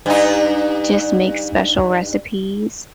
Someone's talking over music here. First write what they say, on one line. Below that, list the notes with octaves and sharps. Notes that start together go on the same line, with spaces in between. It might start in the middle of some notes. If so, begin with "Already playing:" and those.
just make special recipes,
G2 D#4